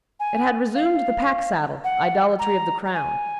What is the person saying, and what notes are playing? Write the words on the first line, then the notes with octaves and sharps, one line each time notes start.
It had resumed the pack-saddle, idolatry of the crown.
G#5
F5
F#5
A#5
A#5
G#5